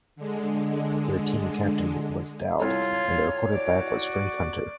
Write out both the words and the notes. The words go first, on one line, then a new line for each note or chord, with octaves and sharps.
Their team captain was Dowd and their quarterback was Frank Hunter.
D3 G#3
C2 F4 A4 C#5
F#4 D5